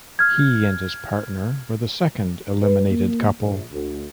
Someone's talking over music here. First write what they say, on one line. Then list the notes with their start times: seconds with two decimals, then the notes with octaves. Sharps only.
He and his partner were the second eliminated couple.
0.19 F6 G#6
2.61 B4
2.91 A#3
3.40 A#1
3.72 D2